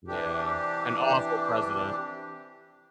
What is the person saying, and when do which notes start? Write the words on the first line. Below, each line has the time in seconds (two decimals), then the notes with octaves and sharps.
Yeah, an awful president.
0.08 C3 E3 D4 G4